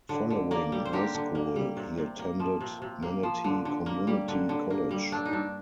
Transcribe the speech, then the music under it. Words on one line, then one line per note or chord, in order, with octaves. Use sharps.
Following high school, he attended Manatee Community College.
D3
D3
A#3 A#4 D5
G3
C5
D3 G4 A#4
D3
A#3
G3
C3
C3
A#3
F3
C3
C3
A#3
F3
D3
D3
A#3
G3
D3
D3
A#3
G3
G2 D4
D#4
G2 D4